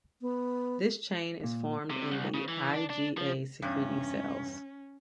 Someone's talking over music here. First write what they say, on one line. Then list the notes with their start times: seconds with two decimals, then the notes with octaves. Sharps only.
This chain is formed in the IgA-secreting cells.
0.21 B3
1.44 A#2
1.90 C3
2.11 C2
2.34 C#3
2.48 E3
2.74 D4
2.90 D4
3.17 F3
3.62 E2 G2 C#4